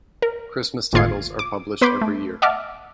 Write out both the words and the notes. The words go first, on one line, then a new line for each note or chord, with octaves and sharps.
Christmas titles are published every year.
A#4
G1 D#2 A2 F4 G#6 C7
D6
B3 B4 B5 C6 D6 G6
A3
D#5 E5 F#5 A5 D6 F6